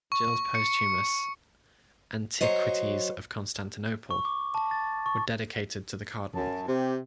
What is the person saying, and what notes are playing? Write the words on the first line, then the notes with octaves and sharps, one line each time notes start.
Gilles' posthumous "Antiquities of Constantinople" were dedicated to the Cardinal.
C#6
C#7
C#7
F#3 C5 C#5 D#5
C#6
D6
A5
A6
C#6
F#2 A5
C3 G4